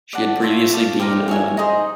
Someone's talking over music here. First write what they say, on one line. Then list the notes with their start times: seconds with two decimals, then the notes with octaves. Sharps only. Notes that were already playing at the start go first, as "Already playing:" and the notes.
She had previously been a nun.
0.13 D5 F#5 A5
0.42 F4 A4 C#5 E5
0.71 D5 F5 A5 D6
0.99 G4 C5 F5 A#5
1.28 G#4 C#5 E5 G#5
1.57 D#4 G#4 C5 D#5